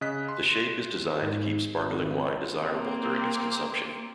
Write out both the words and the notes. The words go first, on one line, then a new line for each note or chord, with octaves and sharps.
The shape is designed to keep sparkling wine desirable during its consumption.
C#3 D#5 F#6 B6
C6
G#2
G#1
A#3 C4